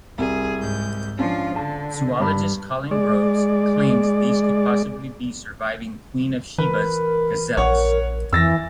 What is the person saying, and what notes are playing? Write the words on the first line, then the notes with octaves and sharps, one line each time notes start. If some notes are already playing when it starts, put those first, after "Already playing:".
Zoologist Colin Groves claims these could possibly be surviving Queen of Sheba's gazelles.
C2 G#4
G#2 G6
F3 C#4 D4 F4
D3 A5
G2 B5
G#3 D5
E3 A#4 B4
A#1 C#5 F#5
F2 E3 E6 A6 A#6